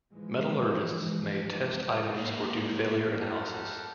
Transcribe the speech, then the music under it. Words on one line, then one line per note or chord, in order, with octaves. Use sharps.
Metallurgists may test items or do failure analysis.
E3 F3 G#3
G#2 A#3
G4 A4 A#4 F#5